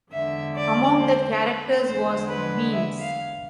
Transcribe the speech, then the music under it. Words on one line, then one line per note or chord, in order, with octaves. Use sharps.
Among the characters was Beans.
E2 D3 G#3 E5
D5
C5
B4
E2 D3 G#3 C5
B4
E5
F5